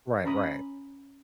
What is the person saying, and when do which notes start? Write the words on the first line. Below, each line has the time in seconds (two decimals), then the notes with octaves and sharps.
Right, right.
0.25 C#4 A#5 B5 D#6